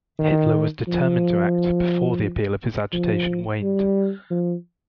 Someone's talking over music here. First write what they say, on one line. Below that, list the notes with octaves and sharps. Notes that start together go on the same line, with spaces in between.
Hitler was determined to act before the appeal of his agitation waned.
D#3
F3
F3
G3
F3